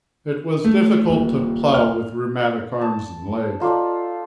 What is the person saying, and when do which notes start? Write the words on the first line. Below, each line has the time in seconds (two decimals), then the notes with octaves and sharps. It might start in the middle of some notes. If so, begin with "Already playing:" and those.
It was difficult to plough with rheumatic arms and legs.
0.64 A3
1.09 D#1
1.74 F6
2.81 A5
3.60 D#4 F4 A4 D5